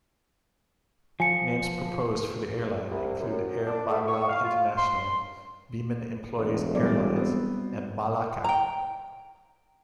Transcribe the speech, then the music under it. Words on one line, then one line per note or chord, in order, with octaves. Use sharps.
Names proposed for the airline included Air Bangla International, Biman Employees Airlines and Balaka.
F3 G#5 C#7
C2
F#2
D4
A3
C#6
F5
F4
C6
E1 A4
B1 A2 F#3 G3 D5
B3 C4
G5 A#5